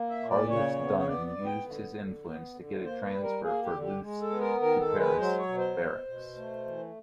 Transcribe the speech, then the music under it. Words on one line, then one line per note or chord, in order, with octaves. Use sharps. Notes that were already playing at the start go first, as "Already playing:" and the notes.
Carolus-Duran used his influence to get a transfer for Luce to Paris barracks.
Already playing: A#3
E5
A#2
D5
C#3 C#5
B3
C#5
B3 D5
D5
B3
G5
D3
D3
B3
D3
A#3 C5
B4
G3
A#4
A#3 G#4
G4
D3
G4
G#3
A4
B3
A#4
D#3 A#4
A4
G#3
B4
F#3 C5
C#5
B2
C5
B2
B2
A3
E3